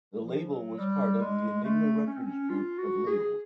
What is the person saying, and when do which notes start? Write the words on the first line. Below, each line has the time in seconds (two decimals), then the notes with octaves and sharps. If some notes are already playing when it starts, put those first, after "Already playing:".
The label was part of the Enigma Records group of labels.
0.21 F3
0.50 F#3
0.79 G3
1.21 G#3
1.64 A3
2.07 C#4
2.17 C4
2.27 C#4
2.50 F4
2.78 F#4
3.06 G#4